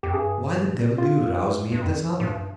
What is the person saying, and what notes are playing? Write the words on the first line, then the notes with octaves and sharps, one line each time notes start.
"Why the devil do you rouse me at this hour?"
F2 G4
G2 G#4
F4
G2
F2
G#2
G2